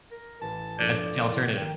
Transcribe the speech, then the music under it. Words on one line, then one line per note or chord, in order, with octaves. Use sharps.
That's alternative.
A#4
A1 E3 A5
G2 F3 A3 E4 D5
F4 D#5
A2
D#3 G5